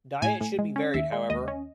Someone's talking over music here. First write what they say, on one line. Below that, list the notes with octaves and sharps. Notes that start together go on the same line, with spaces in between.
Diet should be varied however.
A2 G#5
A2
G#3
C#4
D#2 E5
G#3
D#2 D#5
C#4